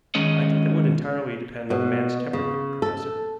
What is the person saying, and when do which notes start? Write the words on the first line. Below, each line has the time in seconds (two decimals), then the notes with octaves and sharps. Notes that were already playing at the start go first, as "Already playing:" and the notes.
"I think that would entirely depend on the man's temperament, professor."
0.15 D#3 G#3 C#4 D#5
1.70 B2
2.33 C#3
2.82 A4